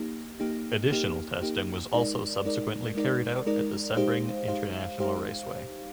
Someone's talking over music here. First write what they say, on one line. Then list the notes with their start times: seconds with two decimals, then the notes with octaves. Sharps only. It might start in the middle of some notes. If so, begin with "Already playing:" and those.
Additional testing was also subsequently carried out at the Sebring International Raceway.
Already playing: A#3 D#4 G4
0.40 A#3 D#4 G4
0.92 A#3 D#4 G4
1.42 A#3 D#4 G4
1.93 G#3 D#4 A#4 D5
2.45 G#3 D#4 A#4 D5
2.95 G#3 D#4 A#4 D5
3.46 G#3 D#4 A#4 D5
3.97 G#3 D#4 G4 C5 F5
4.48 G#3 D#4 G4 C5 F5
4.99 G#3 D#4 G4 C5 F5